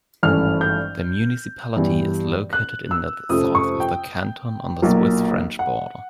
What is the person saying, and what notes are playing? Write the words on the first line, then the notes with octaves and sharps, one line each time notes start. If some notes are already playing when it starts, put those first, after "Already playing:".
The municipality is located in the south of the Canton, on the Swiss-French border.
G#1 G2 E3 A3 C#4 F6
G6
G2 E3 G3 B3
F#6
E6
F2 C3 F3 A3 C#4 D#6
C#6
G5
B1 A#2 F#3 A#3
F#5